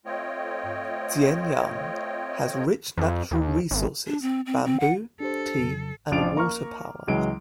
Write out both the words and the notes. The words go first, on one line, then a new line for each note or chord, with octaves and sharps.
Jianyang has rich natural resources: bamboo, tea and water power.
A3 C4 F4 C#5 D#5 G5
F2
D#2
G#1
D4
C4
C4
C4
F#5
D4 G4 A4 C5
F2 C#3 F#3
A1 F3 D4 D6 D7 F7
A#3 A#5 C#6 F6
C#2 E3 F#3 G#3 D7